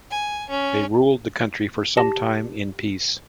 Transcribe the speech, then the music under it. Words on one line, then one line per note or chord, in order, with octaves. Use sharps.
They ruled the country for some time in peace.
G#5
C#4
G4 A5 A#6